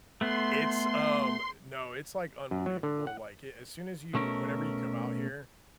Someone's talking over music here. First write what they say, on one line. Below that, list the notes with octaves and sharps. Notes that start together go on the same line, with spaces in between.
It's, um, no, it's, like, unbelievable. Like, as soon as you whenever you come out here
A3 B3 C6
F#2
F#3
D3
F#5
B2 A3 C#4 A#4